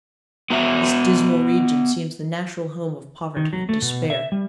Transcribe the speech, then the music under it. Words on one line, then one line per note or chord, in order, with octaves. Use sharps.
This dismal region seems the natural home of poverty and despair.
B3 F#4 E5
D#3
F#3
A3
B2
E5
G3